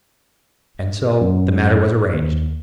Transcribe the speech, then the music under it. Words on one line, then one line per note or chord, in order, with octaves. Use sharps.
And so the matter was arranged.
F#2
D#2